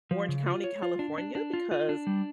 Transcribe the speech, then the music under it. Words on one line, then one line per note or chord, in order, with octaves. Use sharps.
Orange County, California, because
F3
C#3
F4
C#5
F4
D4
D4
D4
F4
F4
D4
G3